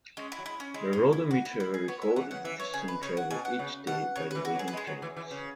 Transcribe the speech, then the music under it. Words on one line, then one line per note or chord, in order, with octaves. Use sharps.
The "Roadometer" recorded the distance traveled each day by the wagon trains.
G#3 C#4
E4
F#3
G#3 E4
C#4
G#3 E4
C#4
E4
F#4
E4
E4
G#4
B3 C#5
G#3 E5
E3 F#5
C#3 F#5
E3 E5
C#5
C#3 G#4
B4
C#3 C#5
F#5
B2 G#5
F#5
C#3
B2 F#5
C#3 C#5
E3 B4
F#4
F#3
G#4
B4
G#3
G#4
F#3
E3
E3
C#3